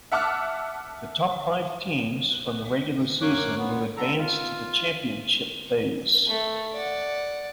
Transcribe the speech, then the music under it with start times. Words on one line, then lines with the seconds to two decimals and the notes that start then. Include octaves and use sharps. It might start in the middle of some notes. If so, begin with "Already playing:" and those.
The top five teams from the regular season will advance to the championship phase.
0.12 E5 F#5 A5 D6 E6 F6
3.21 F#2 A#3 C#5 D6 F#6
3.58 B3
3.97 D3 A4 A#5
4.19 F4
6.28 A3
6.73 D5 F#5